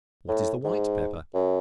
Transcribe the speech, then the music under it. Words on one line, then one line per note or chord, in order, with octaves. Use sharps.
What is the White Pepper?
A2
G#2
F#2